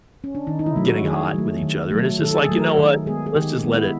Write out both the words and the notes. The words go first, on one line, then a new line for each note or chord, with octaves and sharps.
getting hot with each other, and it's just like, "You know what? Let's just let it
C#4
D4
D#3 D#4
D#4
E4
F#3 A3
F#4
D#3 G#4
F#3 A3
D#3
F#3 A3
D#3 A4
A4
G#4
F#3 A3
A#4
D#3 A#4
G#3 B3 G#4
G#4
D#3 G4
G#3 B3
E4